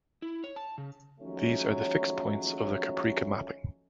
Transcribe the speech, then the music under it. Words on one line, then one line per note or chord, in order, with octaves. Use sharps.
These are the fixed points of the Kaprekar mapping.
E4
C#5
A5
C#3
D#2 F3 F#3 G#3 A3 C#4